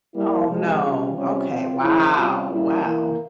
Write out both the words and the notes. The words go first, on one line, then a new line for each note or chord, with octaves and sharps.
Oh, no, okay, wow! Wow.
G3 A#3 E4
C3 F3 G#3
C#3 G3 C#4 F4
C3 G3 C#4 F4
F3 C4 F4
C#3 F3 A#3 E4
C3 G3 C#4 F4
A#2 G3 A#3 C#4 E4
E3 A#3 E4